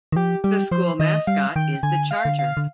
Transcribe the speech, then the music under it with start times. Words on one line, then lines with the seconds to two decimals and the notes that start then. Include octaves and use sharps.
The school mascot is the Charger.
0.12 D#3
0.16 F3 G4
0.44 G3 G4
0.71 F3 C5
1.00 D#3 D#5
1.27 G3 F5
1.56 D#3 G5
1.83 D3 G#5
2.11 F5
2.25 D3
2.39 F5
2.57 D3